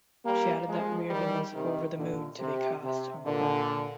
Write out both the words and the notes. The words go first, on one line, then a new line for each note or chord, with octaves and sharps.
She added that Riordan was "over the moon" to be cast on the programme.
G3 A#3
F3 G#3
D#3 G3
C3 D#3
A#2 D3
C3
C3
A#2 D3